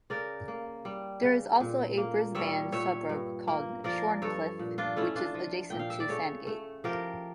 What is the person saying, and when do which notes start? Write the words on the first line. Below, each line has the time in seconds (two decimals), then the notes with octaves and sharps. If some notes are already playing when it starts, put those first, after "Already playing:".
There is also a Brisbane suburb called Shorncliffe, which is adjacent to Sandgate.
0.10 C#3 A#4 D5
0.48 A#3
0.85 G3
1.22 C#3
1.60 A#2
1.97 A#3
2.35 G3 C#5 E5
2.72 A#2 C#5 E5
3.09 G2
3.48 A#3
3.84 F3 A#4 D5
4.22 G2 A4 C#5
4.59 A#2
4.78 D4 F4
4.96 A3 C#4 E4
5.16 D4 F4
5.34 F3
5.70 A#2 G5
5.79 F5
5.90 E5
6.00 D5
6.09 C#3 A4 C#5
6.47 A3
6.84 F3 G4 A#4